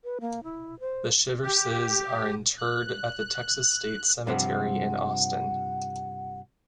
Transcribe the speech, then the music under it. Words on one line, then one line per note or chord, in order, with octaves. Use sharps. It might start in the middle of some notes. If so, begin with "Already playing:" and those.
The Shiverses are interred at the Texas State Cemetery in Austin.
B4
A#3
E4
C5
G4
F#6
G2 C3 F3 F#5